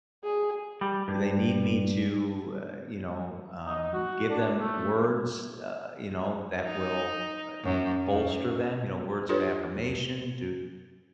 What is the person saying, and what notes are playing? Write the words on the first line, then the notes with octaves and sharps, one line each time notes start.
do they need me to, uh, you know, um, give them words, uh, you know, that will u e bolster them? You know, words of affirmation? Do
G#4
G3
G2
D#4
F#4
D4
A3
D#4
F#2
F#2
D4 F4 G4 A4 B4 C#5